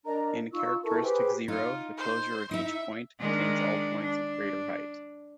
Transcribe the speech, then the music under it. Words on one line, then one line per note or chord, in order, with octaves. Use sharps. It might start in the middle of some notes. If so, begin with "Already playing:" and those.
In characteristic zero, the closure of each point contains all points of greater height.
D4 A#4 D#5 A#5
D#4 F4 C#6 E6
E4 A4 A#4 C#6
G4 G#4 B4 C5
D#4 F4
C5
D#4 E4 E5
D#3 G#3 D4
D4